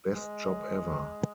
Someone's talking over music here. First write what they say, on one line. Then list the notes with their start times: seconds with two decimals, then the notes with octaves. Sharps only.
Best job ever!
0.14 G#3